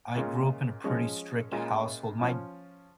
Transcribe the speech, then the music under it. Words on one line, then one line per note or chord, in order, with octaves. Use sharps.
I grew up in a pretty strict household, my
A#2 G#3 C#4 F4
F3 G#3 C#4
A#2 G#3 C#4 F4
F3 C#4 F4